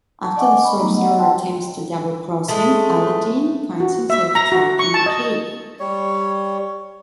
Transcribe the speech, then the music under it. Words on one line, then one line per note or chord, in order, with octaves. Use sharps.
After the sorcerer attempts to double-cross him, Aladdin finds himself trapped in the cave.
A5
D5 D#5 F#5 G#5 C#6 D6
D#5 B5
F#3 G3 A3 B3 D#4 A#5
D#5 F#5
F#5 G5 A5 C6
G#3 A3
F#4
E5
A#5
F#4
C#6
A5
D#5
G3 C#5